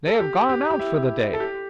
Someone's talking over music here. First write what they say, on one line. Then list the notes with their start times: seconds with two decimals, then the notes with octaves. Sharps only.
They have gone out for the day.'
0.07 A4
0.20 G4
0.49 G4
0.71 G4
0.79 E4
1.34 A4
1.40 G4